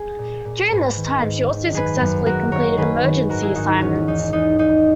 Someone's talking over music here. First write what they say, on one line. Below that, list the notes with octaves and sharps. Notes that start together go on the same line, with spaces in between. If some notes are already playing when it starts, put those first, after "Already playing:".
During this time she also successfully completed emergency assignments.
Already playing: G#4
A#2
A#2
G#2 G#4 B4
D#3
G#2
D#3
F#2 G#4 B4
F#2
F#2 F#4 A#4
D#3 A#4 C#5
D#3 G#4 B4
D#3
G#2 F#4 A#4
E4 G#4
G#2 D#4 F#4
D#4
E2 C#4
E2 D#4
E2 D#4
E2 D#4